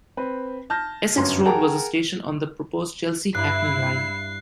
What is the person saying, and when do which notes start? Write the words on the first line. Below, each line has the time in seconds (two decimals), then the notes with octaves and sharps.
Essex Road was a station on the proposed Chelsea-Hackney line.
0.17 C4 B4
0.70 A5 F6 G6 A#6
1.17 G1 F#2 C#4 C6
1.45 G#4 A#4 F#5 G5 A5 A#5
3.35 G2 E4 F#6 C7